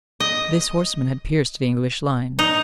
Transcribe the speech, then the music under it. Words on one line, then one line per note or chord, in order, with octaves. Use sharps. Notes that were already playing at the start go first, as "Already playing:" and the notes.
This horseman had pierced the English lines.
D#5
D#4